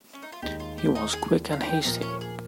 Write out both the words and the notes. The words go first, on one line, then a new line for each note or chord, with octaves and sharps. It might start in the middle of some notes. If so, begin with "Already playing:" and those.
He was quick and hasty.
C#4
D#4
F4
D#2 D#3 G#3 D#4 G4
F4
G4
D#4 D#5
G#4 G#5
F5
G4 G5
A#2 F3 A#3 D#4 D#5
C#4 C#5
G#4